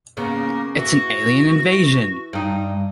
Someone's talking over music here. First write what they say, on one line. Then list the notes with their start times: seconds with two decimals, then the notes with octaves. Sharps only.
It's an Alien Invasion!
0.17 C#3 A#3 B3
0.77 E3 F#4
2.33 G2 D#4